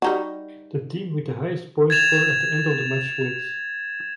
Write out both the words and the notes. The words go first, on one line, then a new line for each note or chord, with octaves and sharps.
The team with the highest point score at the end of the match wins.
G3 D#4 F#4
G#6 A6 E7 F7